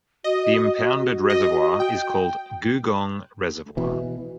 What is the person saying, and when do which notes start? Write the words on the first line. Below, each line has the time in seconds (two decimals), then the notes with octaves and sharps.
The impounded reservoir is called Googong Reservoir.
0.24 F#4 D#5
1.30 D#5
1.80 G5
3.77 B2 E3